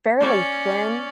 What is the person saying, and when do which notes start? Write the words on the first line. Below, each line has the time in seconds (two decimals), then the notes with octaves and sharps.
fairly thin
0.20 C#4 D5